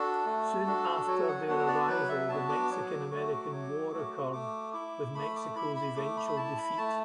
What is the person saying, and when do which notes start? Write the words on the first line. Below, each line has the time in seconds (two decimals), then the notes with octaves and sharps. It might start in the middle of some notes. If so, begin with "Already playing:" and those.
Soon after their arrival, the Mexican-American War occurred, with Mexico's eventual defeat.
Already playing: D4 F#4 A4
0.25 A3
0.66 D4 F#4
1.07 F#3 F#4
1.28 F#5
1.48 B3 D4 F#4 F#5
1.68 D5
1.88 F#3 B4
2.09 E5
2.29 B3 D4 F#4 A5
2.49 D6
2.70 F#3
3.10 A3 F#4
3.52 F#3
3.93 A3 F#4
4.33 A3 D6
4.74 E4 D6
5.15 A3 B5
5.36 D6
5.56 E4 B5
5.76 B5
5.96 A3 D6
6.17 B5
6.28 B5
6.37 E4 A5
6.58 B5
6.77 A3 A5